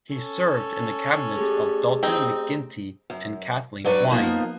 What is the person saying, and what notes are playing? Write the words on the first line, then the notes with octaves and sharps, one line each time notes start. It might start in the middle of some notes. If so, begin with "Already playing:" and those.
He served in the cabinets of Dalton McGuinty and Kathleen Wynne.
C#4 A4
A3 G4 G#4
C4 D#4
F#2
F#3 D4 B4 C#5
F3 A#3 B3 D#4